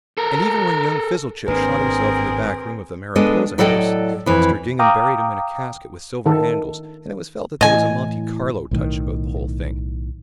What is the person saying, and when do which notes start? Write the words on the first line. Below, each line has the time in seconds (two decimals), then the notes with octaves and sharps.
And even when young Fizzlechip shot himself in the back room of the Mariposa House, Mr. Gingham buried him in a casket with silver handles and it was felt that there was a Monte Carlo touch about the whole thing.
0.18 A4 A#4
1.48 G#1 A#3 C4 D4 G#4 A#4 B4
3.16 G#3 B3 D4 A4 D#5
3.58 A2 F#3 A4 D5 D#5 G5
4.26 F2 E3
4.79 F5 G5 A#5 D6 D#6
6.26 D#3 A4
7.61 A2 E3 D#5 G#5
8.71 B1 A2 D#3